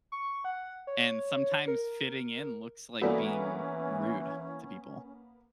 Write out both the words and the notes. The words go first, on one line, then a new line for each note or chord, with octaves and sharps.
And sometimes fitting in looks like being rude to people.
C#6
F#5
C#5
A#4
E3 A#3 B3 C#4 F#4 A4 D5